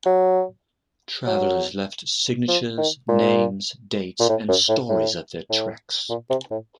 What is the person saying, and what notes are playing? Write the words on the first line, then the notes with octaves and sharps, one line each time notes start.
Travelers left signatures, names, dates, and stories of their treks.
F#3
F#3
F3
D#3
A#2
A#2
A2
F#2
A2
A2
A2
A#2
C3
A2